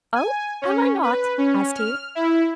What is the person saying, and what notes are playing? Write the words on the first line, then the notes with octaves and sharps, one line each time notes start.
'Oh, am I not?' asked he.
G#5
C#4
B4
C#4
F6
E4